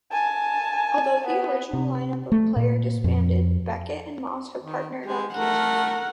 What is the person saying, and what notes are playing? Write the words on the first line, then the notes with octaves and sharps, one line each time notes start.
Although the original lineup of Player disbanded, Beckett and Moss have partnered on occasion.
G#5 A5
B3
C3
A3
A#2
F2
D#3
G#3 G4
A3 A#4 F#5